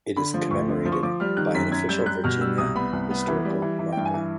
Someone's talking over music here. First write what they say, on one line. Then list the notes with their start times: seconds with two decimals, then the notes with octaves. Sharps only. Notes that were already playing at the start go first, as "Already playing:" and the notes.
It is commemorated by an official Virginia historical marker.
0.16 D3 B5
0.34 F3
0.51 D2 C#6
0.68 D3
0.85 F3
0.92 C#6
1.03 F3 D6
1.20 G3 F6
1.37 D#3 F#6
1.55 F#2 B6
1.71 F#2 G#6
1.89 G3 G6
2.06 G3 F#6
2.24 B2 F6
2.41 G3 E6
2.58 C2 D#6
2.75 B3 B5
2.93 C2
3.10 B3
3.28 E3
3.45 G3
3.62 E3
3.79 E3
3.92 G2 G5
4.05 G#5
4.14 E3